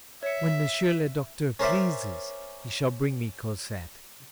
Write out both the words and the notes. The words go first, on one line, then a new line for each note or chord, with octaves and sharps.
When Monsieur le Docteur pleases, he shall bring me Cosette.
C#5 E5 C#7
C#4 A#4 C5 D5 E5